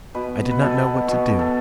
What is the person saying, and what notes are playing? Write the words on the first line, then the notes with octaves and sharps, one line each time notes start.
I did not know what to do.
B2 B4
B4
B2 A4
B2 F#4
A4